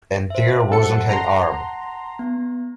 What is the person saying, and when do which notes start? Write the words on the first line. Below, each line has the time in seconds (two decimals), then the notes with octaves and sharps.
And there wasn't an arm!
0.30 C5 E5
0.70 F#2 A4 C#7
0.83 F#5 A5
1.09 A#5 C6
2.19 B3